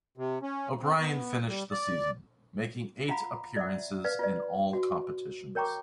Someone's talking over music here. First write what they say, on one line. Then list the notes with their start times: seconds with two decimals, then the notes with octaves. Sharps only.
O'Brien finished the season, making eight appearance in all competitions.
0.17 C3
0.42 C#4
0.81 C4
1.00 B3
1.49 G3
1.72 D5
3.08 F4 F5 F#5 A#5 B5
3.57 D5 E5 F#5
4.04 B4 D5 F5
4.19 F4 B4 D5
4.73 F#4
5.55 A#4 C#5 G5 A#5 C#6 D6